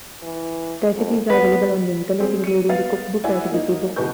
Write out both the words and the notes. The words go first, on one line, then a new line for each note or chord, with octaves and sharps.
Recipes are available on the Internet, including the cookbook at Wikibooks.
E3
F2
B3 B4
G#3 C4 G#4
C#7 D#7
B3 F5 A6
E4 D5 F#5 G#5
A#3 D#4
F#1 E2 B2 B4 C#6 G6